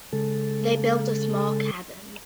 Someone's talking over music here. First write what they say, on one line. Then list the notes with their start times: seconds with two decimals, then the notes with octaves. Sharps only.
They built a small cabin.
0.13 C#3 G#3 A4